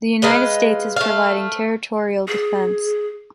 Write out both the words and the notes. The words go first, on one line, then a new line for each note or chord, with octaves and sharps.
The United States is providing territorial defense.
G#3 B4 D#5 F5
A3 F5
G#4